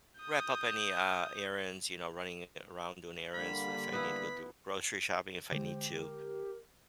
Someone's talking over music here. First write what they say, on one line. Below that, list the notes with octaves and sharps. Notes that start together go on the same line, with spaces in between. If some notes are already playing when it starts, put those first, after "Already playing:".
wrap up any, uh, errands, you know, running a around doing errands, if I need to go do grocery shopping, if I need to,
D#6 G6
D3 G3 A#3 B5
B3 E4
D3 G#3 G4 C5
A#4